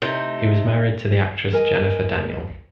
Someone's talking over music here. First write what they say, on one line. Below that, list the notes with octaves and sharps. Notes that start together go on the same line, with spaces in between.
He was married to the actress Jennifer Daniel.
C3 A3 D#4
A#4 B4 D#5 G#5